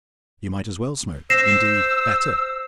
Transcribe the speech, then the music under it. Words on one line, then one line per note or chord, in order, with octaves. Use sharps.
You might as well smoke- -indeed, better.
C5 E6 A#6 C7 E7